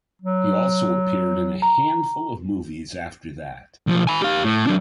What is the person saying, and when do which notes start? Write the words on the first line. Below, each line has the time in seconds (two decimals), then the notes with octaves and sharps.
He also appeared in a handful of movies after that.
0.22 F#3
1.62 A#5
3.87 B1 F3
4.07 G#5 B5
4.22 G4 F5
4.44 A2
4.67 F#3 D4